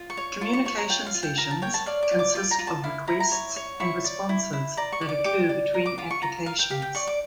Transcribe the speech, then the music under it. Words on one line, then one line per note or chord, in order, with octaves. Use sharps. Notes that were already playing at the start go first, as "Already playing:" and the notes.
Communication sessions consist of requests and responses that occur between applications.
Already playing: F4
C#6
C#5
F4 C#6
C#6
C#5 C#6
A#5
F4 G5
F5
F4
G5
A#4 A#5
A5
C#5 G5
A5
D5 F5
D6
F4
D6
F4 D6
A#5
F4
A5
E4 F5
E4 A#5
A#5
C#5
C#5
E4 C#6
D5
E4
E4
D5 A#5
C#6
D5
D6
G4 D6
D5
A#4
D6
F4 D6
C#6
F4 A#5
A#4 F5
G5
G4 F5
G5
D5 C#6
D6